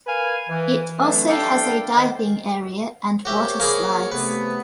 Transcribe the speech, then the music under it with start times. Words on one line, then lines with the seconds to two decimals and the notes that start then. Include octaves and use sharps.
It also has a diving area and water slides.
0.07 A#4 B4 F5 G#5
0.49 E3
0.98 D3 E3 F#3 A3 C4 D4
1.28 D4 E4 G4 A4 F5 G5
1.97 D#3 C5
3.25 F#4 G4 A#4 C5 C#5 E5
3.60 A#3 G#4 B5
4.12 C3 A3 B3 B4